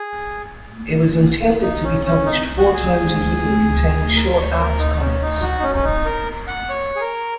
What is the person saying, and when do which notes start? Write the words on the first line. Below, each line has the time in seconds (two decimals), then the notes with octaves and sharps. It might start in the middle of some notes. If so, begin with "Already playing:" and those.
It was intended to be published four times a year, containing short arts comics.
Already playing: G#4
1.62 D#4
1.84 C#4
2.06 C#4
2.26 D#4
2.58 F#4
2.74 G#4
4.16 A#4
4.37 C#5
4.59 A#4
4.79 D#4
5.00 C#4
5.22 D#4
5.42 F#4
5.59 D#4
5.63 C#4
5.75 C#4
5.84 D#4
6.06 A#4
6.48 F#5
6.70 C#5
6.96 G#4
7.01 A#4